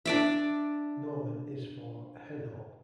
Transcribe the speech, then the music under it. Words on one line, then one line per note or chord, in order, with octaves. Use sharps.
Norman is for "Hen Hop".
D4 D5 E5